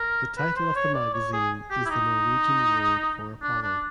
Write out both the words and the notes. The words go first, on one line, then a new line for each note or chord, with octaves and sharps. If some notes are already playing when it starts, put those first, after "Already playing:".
The title of the magazine is the Norwegian word for Apollo.
Already playing: A#4
B4
C5
C#5
D5
C#5
G#4
G4
E4
D#4
D4
D4